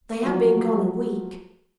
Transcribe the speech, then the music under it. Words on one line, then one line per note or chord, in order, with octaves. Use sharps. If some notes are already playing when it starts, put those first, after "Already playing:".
'They have been gone a week.
F3 F#3